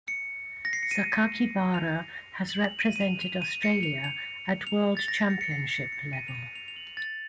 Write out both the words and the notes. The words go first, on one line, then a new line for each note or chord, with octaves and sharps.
Sakakibara has represented Australia at World Championship level.
C#7
A#6
C7
C#7
D#7
F7
F#7
F7
D#7
D#7
F7
F7
D#7
C#7
F7
F7
F7
A6
A#6
C7
C#7
C#7
C7
C#7
C#7
D#7
F7
D#7
F7
F7
F#7
A6